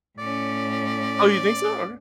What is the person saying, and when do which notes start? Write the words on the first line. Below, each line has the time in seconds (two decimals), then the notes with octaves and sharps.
Oh, you think so? Okay.
0.18 A2 C#4 D5